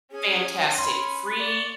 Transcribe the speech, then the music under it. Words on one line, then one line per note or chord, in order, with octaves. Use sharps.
Fantastic. Free
C#4 G#4 G#5
B5 C6
D5 C#6